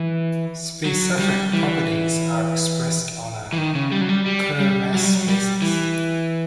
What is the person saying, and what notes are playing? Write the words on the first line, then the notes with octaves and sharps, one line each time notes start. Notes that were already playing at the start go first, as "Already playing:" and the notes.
"Specific" properties are expressed on a per mass basis.
Already playing: E3
F#3
G3
E3
E3
D#3
C#3
G3
F#3
G3
G3
G3
F#3
G3
F#3
G3
E3